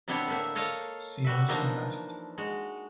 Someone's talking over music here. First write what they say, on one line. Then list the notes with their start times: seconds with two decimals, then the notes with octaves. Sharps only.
See also Lust.
0.08 C3 G3 B3 D4 E4 C#5
0.27 A2 D3 A#3 E5
0.55 A#3 A4 C#5 D#5 F5
1.25 G3 F#4 E5
1.49 E3 F3 A#3 D4 D#4 D#5
2.38 G#3 F#4